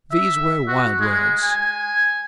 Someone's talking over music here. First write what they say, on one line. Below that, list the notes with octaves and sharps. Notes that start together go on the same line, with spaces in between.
These were wild words.
E5
F#4
G#3
G#5